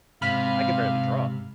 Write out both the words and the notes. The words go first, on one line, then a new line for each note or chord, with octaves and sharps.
I can barely draw.
G#2 C3 F5 B5 F6